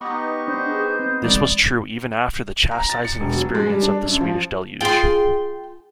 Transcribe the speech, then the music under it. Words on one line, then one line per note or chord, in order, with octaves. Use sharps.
This was true even after the chastising experience of the Swedish "Deluge".
B3 D#4 G4 D#5 C#6
D4 C5
G#4
C4
E3 G#3 C4 D5 C6
A#5
A6
C#7
E1
F#3
G#3
G3
D4
F#2
F3
F4 G#4 G5 C6